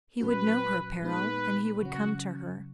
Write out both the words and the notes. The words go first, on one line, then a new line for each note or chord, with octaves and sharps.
He would know her peril and he would come to her.
A#2 F#3 C#4 F#4 B4
A#2 G#3 B3 D#4 B4
C#3 F#3 C#4 F#4